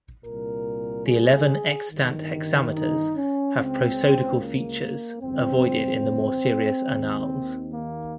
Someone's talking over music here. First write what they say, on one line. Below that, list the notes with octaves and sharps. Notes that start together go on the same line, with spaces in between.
The eleven extant hexameters have prosodical features avoided in the more serious "Annales".
C2 A#2 A#4
G#4
G1 G2 D#3
D#4
C#4
C#2 C#3 C4
A#3
G1 F2 C#3 C4
D#2 D#3
A#3